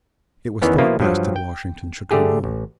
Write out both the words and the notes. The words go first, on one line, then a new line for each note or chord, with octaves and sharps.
It was thought best that Washington should come home.
E2 D#3 E3 B3 C#4
B2 F3 A#3 E4 F4
G2 F3 F#3
G5
D3 A3 G4 G#4
A1